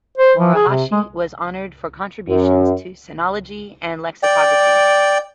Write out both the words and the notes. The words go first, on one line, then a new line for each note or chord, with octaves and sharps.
Morohashi was honored for contributions to sinology and lexicography.
C5
F3
G#4
C3
G#3
F#2
D5 G5